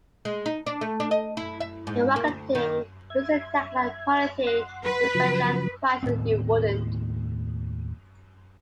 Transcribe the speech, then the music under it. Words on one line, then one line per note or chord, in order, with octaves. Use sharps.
The marketing uses the tagline "quality you'd expect at prices you wouldn't".
G#3
D#4
D4
A3
D4
D#5
E4
E5
G#2
A#3
D2
D#3
E5 G#6
F#5 C6
B4
C#3 F3 F#3
D#2 A2 B3 C4